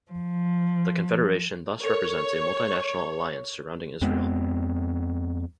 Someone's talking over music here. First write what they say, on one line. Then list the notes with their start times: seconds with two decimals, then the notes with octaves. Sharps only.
The confederation thus represents a multinational alliance surrounding Israel.
0.11 F3
1.83 A4 A#4 C#5
4.02 F2 G#3 B3 C4